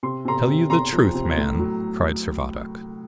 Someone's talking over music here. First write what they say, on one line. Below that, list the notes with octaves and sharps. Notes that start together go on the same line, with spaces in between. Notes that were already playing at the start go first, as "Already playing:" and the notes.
"Tell you the truth, man!" cried Servadac.
C3 C6
C3 A#5 C6
C3
C3 A#5 C6
F3
C3
A2
F#3